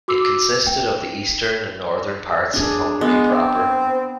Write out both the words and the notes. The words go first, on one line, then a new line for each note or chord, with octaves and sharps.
It consisted of the eastern and northern parts of Hungary proper.
F#4 D6 E6
G5
D4 G#4
G#3 B3
C4